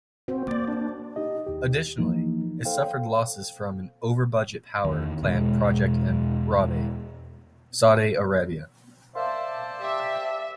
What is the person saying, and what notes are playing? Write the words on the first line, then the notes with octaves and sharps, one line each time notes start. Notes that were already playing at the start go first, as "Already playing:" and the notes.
Additionally, it suffered losses from an over-budget power plant project in Rabigh, Saudi Arabia.
C4 F#4 C5
A#3 D5
D4
D#4 G4 D#5
D#2 G4
E3 F3 A#3 D#4
A4 C5 F5 G5
E2 D#3
E2 B2 G#3
A#4 C5 D5 E5 F5 A5 C6
G4 E5